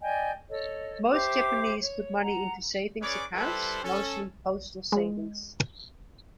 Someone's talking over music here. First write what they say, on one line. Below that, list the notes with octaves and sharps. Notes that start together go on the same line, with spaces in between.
Most Japanese put money into savings accounts, mostly postal savings.
D5 D#5 G5 G#5
A4 C#5 D#5
G4 C5 E5 D6
C#5
F#5 A#5
C#4 G#4 B4 C#5 D5 D6
G3 E4 G4 A4 B4 C5
C#4 A4
G#3